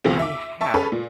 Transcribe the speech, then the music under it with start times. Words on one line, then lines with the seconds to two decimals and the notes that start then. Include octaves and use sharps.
I have,
0.04 C#2 F#2 B2 E3 G#3 C4
0.19 E5 D6
0.61 E5 A5 C#6
0.74 C#4 G#4 A4 B4
0.92 A#2